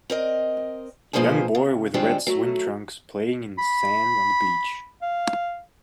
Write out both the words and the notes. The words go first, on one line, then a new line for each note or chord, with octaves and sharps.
Young boy with red swim trunks playing in sand on the beach.
C4 A#4 D#5
B2 F3 A#3 G#4 C5 G#5
C#3
D#3 F3 G3 G#3 C4 D4
F#3 A3
B5
F5